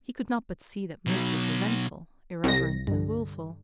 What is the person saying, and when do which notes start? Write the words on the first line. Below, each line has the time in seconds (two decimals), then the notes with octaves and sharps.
He could not but see that Mliss was revengeful, irreverent, and willful.
1.07 B2 F#3
2.44 C2 A#6
2.87 G2 D3